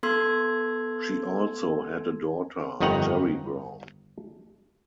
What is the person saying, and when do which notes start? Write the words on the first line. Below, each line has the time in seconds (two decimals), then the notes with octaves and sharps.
She also had a daughter, Jeri Brown.
0.03 B3 A4 C6 E6 G#6
2.80 G1 F2 D#3 D#5 F#5 A#5